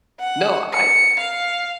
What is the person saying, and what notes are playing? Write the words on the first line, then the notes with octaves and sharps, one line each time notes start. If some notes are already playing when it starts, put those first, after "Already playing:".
No, I
F#5
C#7
F5